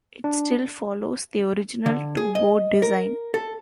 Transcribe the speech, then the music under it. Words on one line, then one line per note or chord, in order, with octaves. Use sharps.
It still follows the original two board design.
D4
D3
G#4
D#5
A#4
A4